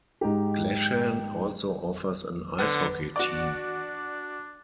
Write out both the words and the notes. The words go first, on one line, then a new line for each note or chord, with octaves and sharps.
Glashan also offers an ice hockey team.
G#2 D#4 G4
D3 B3
D4 F#4 D5